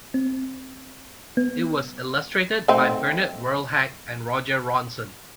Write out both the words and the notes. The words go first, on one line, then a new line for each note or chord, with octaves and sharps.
It was illustrated by Bernard Verlhac and Roger Ronsin.
C4
B3
A3 C4 D#4